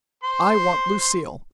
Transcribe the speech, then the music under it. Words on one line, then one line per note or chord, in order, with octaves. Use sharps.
I want Lucille.
C5 C6